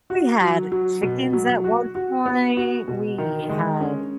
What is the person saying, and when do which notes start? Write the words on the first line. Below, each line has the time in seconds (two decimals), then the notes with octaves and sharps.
we had chickens at one point, we had
0.10 F#4
0.41 F#3
0.72 F#3
1.03 B2
1.33 F#3
1.64 F#4
1.95 F#4
2.26 B3
2.57 F#4
2.88 B2
3.18 D#3
3.49 G#3
3.80 C#4